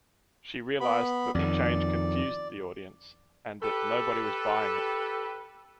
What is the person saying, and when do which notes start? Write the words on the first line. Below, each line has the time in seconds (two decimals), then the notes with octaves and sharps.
She realized that the change confused the audience, and that "nobody was buying it".
0.80 B3 B5
1.35 F2 D#3 D5
3.63 G4 A4 B4